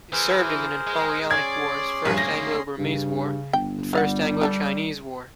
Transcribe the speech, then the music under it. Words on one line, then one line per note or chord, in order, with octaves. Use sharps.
He served in the Napoleonic Wars, First Anglo-Burmese War, and First Anglo-Chinese War.
E3 G#4 A#4 C5
G#3
C#4 G#4 D5 C6 G#6
A#1 G2 B4
D2 A#3 A#6
G2 C#3
G1 G5
G3 B3 F5 F#5
B3 D4 A4